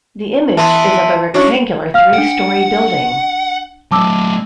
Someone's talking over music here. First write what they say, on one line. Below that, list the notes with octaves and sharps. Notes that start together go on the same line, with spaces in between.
The image is of a rectangular three-story building.
E3 B3 E5 A5 C6
C#4 D4 E4 F#4
F5 F6
D4 F#5 D7
F#3 A3 A5 D6 E6